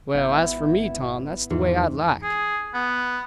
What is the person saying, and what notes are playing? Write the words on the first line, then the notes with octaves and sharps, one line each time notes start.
"Well, as for me, Tom, that's the way I'd like."
G#1 B3 E4 G6
E2 G#2
G#4
B3